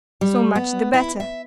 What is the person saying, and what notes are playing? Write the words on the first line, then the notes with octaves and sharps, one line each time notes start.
'So much the better.'
G3
B3
E4
E5